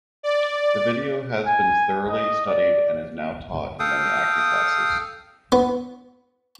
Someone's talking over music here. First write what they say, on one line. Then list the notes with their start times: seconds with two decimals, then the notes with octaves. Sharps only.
The video has been thoroughly studied and is now taught in many acting classes.
0.23 D5
1.47 G#5
2.09 D#5
2.47 D5
3.79 A4 F5 G5 D#6
5.52 B3